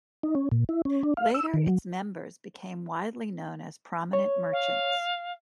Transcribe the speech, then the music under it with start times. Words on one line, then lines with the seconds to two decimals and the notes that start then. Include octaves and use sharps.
Later its members became widely known as prominent merchants.
0.23 D#4
0.35 C#4
0.52 A#2
0.69 E4
0.85 C#4
1.03 D4
1.17 F5
1.34 E6
1.54 D#3
1.67 F#3
4.13 C#5
4.52 F5